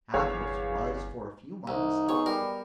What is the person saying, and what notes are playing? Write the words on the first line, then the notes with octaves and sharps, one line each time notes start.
Athos was for a few moments thoughtful.
G1 E2 C#5 F5
C2 D#4
B3 G#4 A#4 C#5
G3 A#4